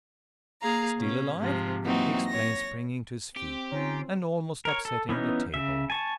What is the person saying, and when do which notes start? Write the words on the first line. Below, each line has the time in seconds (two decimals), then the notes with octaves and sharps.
"Still alive!" he exclaims, springing to his feet, and almost upsetting the table.
0.62 A#3 G#4 F5 A#5
0.97 B2 C#4
1.38 G#2 C3 F3
1.83 E3 F#3 A#3 C4 D#4 F#4
2.26 C#5 A#6
3.37 C4 G4
3.72 D3 C#4 D#4 F4
4.65 A#4 C#5
4.85 A4
5.09 E3 B3 C#4 D#4
5.54 C#3 E5
5.90 G#5 A5 C#6